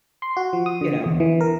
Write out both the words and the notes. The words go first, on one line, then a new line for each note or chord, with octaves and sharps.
You know?
C6
F#4
F3
D#6
D3
E2
E3
A#4